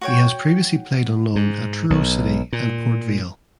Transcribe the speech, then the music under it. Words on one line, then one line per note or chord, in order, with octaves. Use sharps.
He has previously played on loan at Truro City and Port Vale.
F#4 C#5 G5
G#2
B1
A#2